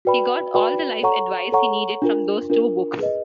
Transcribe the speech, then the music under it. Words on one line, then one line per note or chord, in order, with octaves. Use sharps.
He got all the life advice he needed from those two books.
F#4 B4 D5 G5 B5
F#4 B4 D5 G5 B5
A4 C#5 F#5 A#5 C#6
A4 C#5 F#5 A#5 C#6
D4 F4 A#4
D4 F4 A#4
G#4 B4 D#5